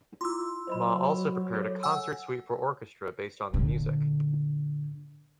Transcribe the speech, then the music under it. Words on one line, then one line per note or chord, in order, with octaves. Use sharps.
Maw also prepared a concert suite for orchestra based on the music.
E4 F4 C6 D6 E6
F#3 C5 D#5 B5
B5
G#4 A4 C#5
F#5 G#5 E6
A#2 D3